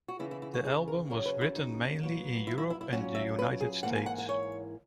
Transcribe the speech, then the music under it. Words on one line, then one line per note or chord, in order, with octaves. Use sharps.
The album was written mainly in Europe and the United States.
F#4
C#3 E3 B3 E4
E4
E4
F#4
G#4
A#4
F#2 C#3 F#3 C#4 A#4
B4
E4
D#4
A#2 F#3 B3
E4
E4
E4
E4
A#2 F#3 C#4 F#4
E5
B4
G#4
G#2 E3 A#3 F#5
G#5
F#5
F#5
C#5